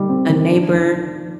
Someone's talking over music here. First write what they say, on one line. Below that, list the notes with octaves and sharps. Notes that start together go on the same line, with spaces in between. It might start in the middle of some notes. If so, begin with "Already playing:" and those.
a neighbor.
Already playing: G3 D#4
C4
D#3
D4
F3